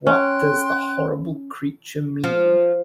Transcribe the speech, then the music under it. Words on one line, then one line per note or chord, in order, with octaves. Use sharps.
What does the horrible creature mean?
C#4 G5 C6 F#6
F3